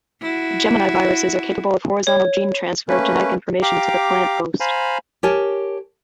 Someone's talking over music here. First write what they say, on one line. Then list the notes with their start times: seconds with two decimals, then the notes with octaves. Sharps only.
Geminiviruses are capable of horizontal gene transfer of genetic information to the plant host.
0.22 E4 F#4
2.07 C#5
2.89 A3 A#3 C#4 B4
3.62 G4 F5 G5 A#5 D6
4.60 C5 F5 G#5 A#5 B5
5.23 G4 A#4 C#5 G#5 A5